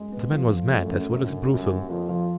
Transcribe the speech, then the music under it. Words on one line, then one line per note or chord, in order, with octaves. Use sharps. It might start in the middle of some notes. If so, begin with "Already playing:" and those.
"The man was mad as well as brutal."
Already playing: F#2 G#3
B3
F2 F3
F3
F#2 A3
C#4
F#2 D3
D3
F#2 G3
A#3
F2 F3
F3